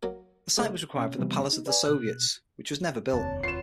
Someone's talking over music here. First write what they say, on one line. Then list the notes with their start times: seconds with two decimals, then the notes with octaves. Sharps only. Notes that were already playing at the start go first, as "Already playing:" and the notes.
The site was required for the Palace of the Soviets, which was never built.
0.03 F#3 A#3 A#4
0.58 C#2 G#2 A3
0.96 B2 C#4
1.18 C3 E3 G3 B3 C4
1.53 D#4
1.66 B4 D5 G#5
1.86 B2 F#6
3.13 F1 D#2 F#3 C4 D4 A5
3.43 F4 B4 C#5 F#5 C7 E7